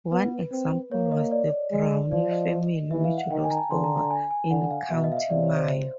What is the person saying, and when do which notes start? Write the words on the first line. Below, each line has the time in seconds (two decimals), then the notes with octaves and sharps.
One example was the Browne family which lost over in County Mayo.
0.11 B3 B4
0.51 C4
0.91 A#3 C#5
1.12 D#5
1.31 D5
1.71 G#3
2.11 F3 D5
2.31 D#5
2.91 E3 E5
3.04 F5
3.17 F#5
3.30 D#3 G5
3.44 G#5
3.51 A#5
3.57 A5
3.71 D3 C6
3.84 A#5
3.98 A#5
4.11 G#5
4.31 G#5
4.50 D3 F#5
4.71 F5
4.90 B2 E5
5.04 D#5
5.12 F5
5.17 E5
5.30 C3 D5
5.43 C#5
5.57 C5
5.70 C5